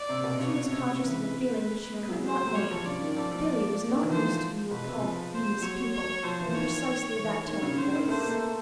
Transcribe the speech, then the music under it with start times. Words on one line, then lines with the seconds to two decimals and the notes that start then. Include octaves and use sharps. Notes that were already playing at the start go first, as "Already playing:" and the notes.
She was conscious of a feeling which she could not name: Billy was not used to being called "these people" in precisely that tone of voice.
Already playing: D5
0.09 C3
0.24 B2
0.39 C#3 C#5
0.70 C3
0.86 C#3
1.01 E3 B4
1.94 G#3
2.09 F#3
2.24 C5
2.47 F#3
2.55 G3 C#5
2.71 F3
2.85 C#3 D5
3.02 D#3
3.17 F3 D5
3.32 F3
3.88 D3
3.94 D#3
4.02 E3
4.09 F3 C5
4.70 B2 B4
4.86 C3
5.01 F3
5.32 C5
5.62 F#3 C#5
5.93 C#5
6.23 F3 C5
6.40 E3
6.54 D#3 C#5
7.16 E3
7.47 D#3 C#5
7.62 C#3
7.77 D3 C5
7.93 D#3
8.08 A3 C5
8.19 A#3
8.28 A3